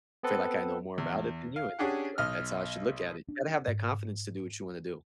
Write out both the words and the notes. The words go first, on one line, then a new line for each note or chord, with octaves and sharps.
Feel like I know more about it than you," and I feel like that's how I should look at it, you gotta have that confidence to do what you wanna do.
B3 C4 A4 B4
E2
F5
C#4 D4 G4 G#4 F#5
B1 D#5 F6
D4
G#2